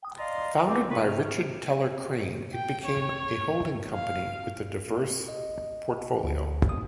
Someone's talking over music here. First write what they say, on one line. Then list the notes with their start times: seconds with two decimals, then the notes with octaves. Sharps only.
Founded by Richard Teller Crane, it became a holding company with a diverse portfolio.
0.18 D5 D#5 F5 A5 A#5 C6
0.67 C#2 C4 D6
0.90 C#2 A#2 D#4 B4 B5 C#6
1.04 C3 F6
2.54 G5
2.86 C#5
3.94 F5
5.28 D#5
6.24 D2
6.69 D#6